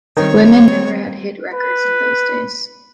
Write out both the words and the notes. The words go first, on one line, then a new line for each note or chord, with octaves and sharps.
Women never had hit records in those days.
D#3 G3 C4 C#5
B4